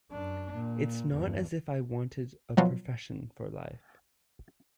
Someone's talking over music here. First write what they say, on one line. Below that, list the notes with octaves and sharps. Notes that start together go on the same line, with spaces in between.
It's not as if I wanted a profession for life.
F#2 D4
A#2
E2 G2
B2 F3 F#3 F4